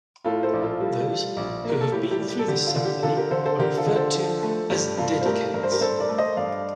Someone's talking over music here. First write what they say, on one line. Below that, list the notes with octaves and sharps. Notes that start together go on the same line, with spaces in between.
Those who have been through this ceremony are referred to as "Dedicants".
A2 F4 A4
A4 C5
A#1
F4 A4
G3
G3
A#1
A#3 A#4
A4
A2 G4
G4
G3
G4
A4
D3 G4
F4
D3
G4
D3 F4 A4
G4 A#4
D3 A4 C5
A4 C5
D3 G4 A#4
F4 A4
D3
A4 C5
F3
A3
G2 G4
G2 F4 A4
C5
A3 G4 A#4
G2 A#4
C5
G4 A#4
G2 A4 C5
A#4 D5
A3
C5 D#5
G2 D5 F5